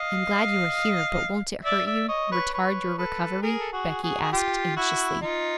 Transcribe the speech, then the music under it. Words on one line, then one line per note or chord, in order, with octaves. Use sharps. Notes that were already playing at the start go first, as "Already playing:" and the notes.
I am glad you are here, but won't it hurt you, retard your recovery?' Becky asked anxiously.
Already playing: D#5 F5
D5 E5
D5 E5
C#5 D#5
B4 C#5
B4 C#5
A4 B4
G#4 A#4
A4
F#4 G#4
F#4 G#4
G#4
F4 G4
E4 F#4
D#4 F4